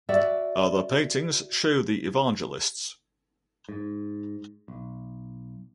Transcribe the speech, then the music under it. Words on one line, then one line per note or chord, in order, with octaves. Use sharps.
Other paintings show the Evangelists.
F#4 D5 E5
G#2
B1